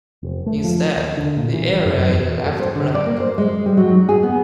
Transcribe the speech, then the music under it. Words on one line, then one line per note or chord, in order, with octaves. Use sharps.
Instead, the area is left blank.
F1
A3
F3
D#2
D3
A#2
E3
A1
F#2
E2
A4
C5
D3
D5
A#3
C5
G#3
G3
F#3
D#4
G#4
B3